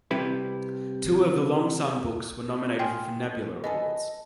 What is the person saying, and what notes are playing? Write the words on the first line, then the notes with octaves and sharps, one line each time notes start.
Two of the "Long Sun" books were nominated for Nebula Awards.
C3 G3 E4 B4
F4 G#4 G5
B3 G#4 A4 D#5